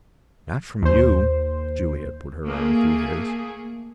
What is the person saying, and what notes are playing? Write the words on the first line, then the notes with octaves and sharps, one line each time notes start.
"Not from you." Juliet put her arm through his.
D#2 C5
A3 A#3 G#4